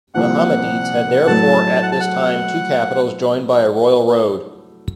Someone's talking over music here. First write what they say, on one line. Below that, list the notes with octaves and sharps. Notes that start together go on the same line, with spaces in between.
The Hammadids had therefore at this time two capitals joined by a royal road.
C2 C3 F3 A#3 F#5
A2 F#3 A3 A5
F#5
A5
F#5